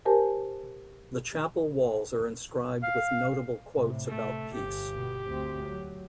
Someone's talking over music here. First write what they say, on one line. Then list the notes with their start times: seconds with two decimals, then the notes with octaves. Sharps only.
The chapel walls are inscribed with notable quotes about peace.
0.05 G4 A#4 C5 G#5 A5
2.83 F5
3.76 A2 C3
4.07 C3 A3
4.53 G1 G4
4.95 B2
5.28 D2 C4
5.64 F#3